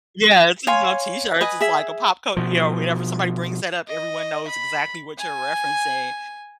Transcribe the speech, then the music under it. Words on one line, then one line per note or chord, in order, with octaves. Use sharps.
Yeah, it's in some T-shirts. It's like a pop cul you know, whenever somebody brings that up, everyone knows exactly what you're referencing.
C#5 F5 G#5 C6
B4 D#5 G#5
G#4 E5
B2 F3
D#5
B5
G#5